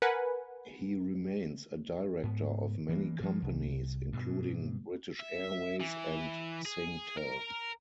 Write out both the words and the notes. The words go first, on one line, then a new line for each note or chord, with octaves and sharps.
He remains a director of many companies, including British Airways and SingTel.
A#4 B4 F#5 G#5
G#2 B3
E3 A#3
G2 F3
C2
G2 B2
E5
E3
G#4
A#4